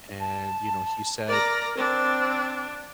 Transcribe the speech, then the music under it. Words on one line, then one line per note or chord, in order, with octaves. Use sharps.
and, you know, he said
A5
A#4 D5 A#5
C4 D4